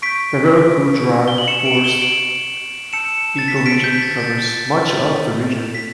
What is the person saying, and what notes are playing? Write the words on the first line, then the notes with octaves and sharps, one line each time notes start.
The Veracruz dry forests ecoregion covers much of the region.
C#6 G6 B6 D7
G7
F#7
C#7 E7
D7 F#7
E7 G7
D7 F#7
A5 E6 G6 C#7 E7
A6
B6
C#7
B6 D7
G6 B6
B6
A6
A6
B6